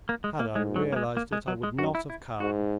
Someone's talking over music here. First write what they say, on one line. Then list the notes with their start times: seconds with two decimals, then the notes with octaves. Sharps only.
"Had I realised it, I would not have come."
0.09 A#3
0.24 G#3
0.40 A#3
0.55 G#2 G#3
0.76 F#3
0.92 A#3
0.96 G#3
1.17 A#3
1.33 G#3
1.48 F#3
1.63 G#3
1.78 F#2 F#4
1.95 E4
2.10 E4
2.40 G#2 F#4